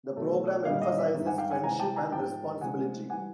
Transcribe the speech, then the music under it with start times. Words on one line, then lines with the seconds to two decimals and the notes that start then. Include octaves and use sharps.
The programme emphasizes friendship and responsibility.
0.16 B2 F#3 A3
0.65 A#2 G3 D#5 F5
0.81 D#5 F5
0.98 D5 E5
1.14 G2 D#3 G#3
1.26 F#5 G#5
1.38 F5 G5
1.51 F#5 G#5
1.63 C3 E3 G#3 G#5 A#5
1.79 G5 A5
1.96 G#5 A#5
2.12 G#2 F3 G#3 G5 A5
2.61 C3 F3 G#3 F#5 G#5
3.10 E3 G3 F#5 G#5